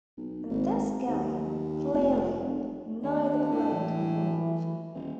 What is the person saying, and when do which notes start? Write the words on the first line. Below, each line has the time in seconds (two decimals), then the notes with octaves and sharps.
In this game, clearly, neither player can move.
0.17 B1
0.49 G#1
1.08 D#2
1.92 F1
3.03 D#2 D4
3.51 A2
3.75 E3
4.94 D#1